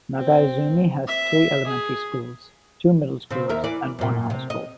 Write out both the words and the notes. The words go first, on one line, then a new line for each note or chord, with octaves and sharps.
Nagaizumi has three elementary schools, two middle schools and one high school.
C4
E5
G#4
C#3 C4
D#2 A#4 E5
E3 D5
F#2 A#2
C3
D#5